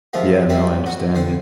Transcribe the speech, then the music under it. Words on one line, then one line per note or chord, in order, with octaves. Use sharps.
Yeah, no, I understand, yeah.
G#2 C3 F3 A#3 F4
G3 A#3 C4 E4
F#4
D3 C5 G5